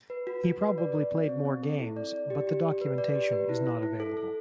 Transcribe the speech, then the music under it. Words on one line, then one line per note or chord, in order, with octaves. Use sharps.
He probably played more games but the documentation is not available.
B4
F#4
F#4
B4
D5
D5
C4
C4
C4
A4
E4
D5
D5
G4
G4
D5
B4
D5
G4
B4
E4
E4
E4
A4
A4